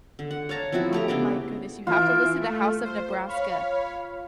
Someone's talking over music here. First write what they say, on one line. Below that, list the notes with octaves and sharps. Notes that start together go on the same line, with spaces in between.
Oh my goodness, you have to listen to House of Nebraska.
D3
F#5
C#5 F5 A5 A#5
F3 C4 E4 F#4
A3 G4 A#5
C#3 B3 D4 D6
E3 F4 E5 D7
A3
C5
C#5 F5 B5